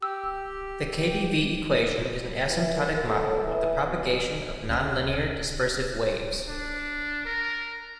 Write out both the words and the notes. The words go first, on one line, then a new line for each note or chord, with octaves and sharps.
The KdV equation is an asymptotic model of the propagation of nonlinear dispersive waves.
G4 E6
E3
A#4
A4
E3
B2
D2 C#4
D4
A#4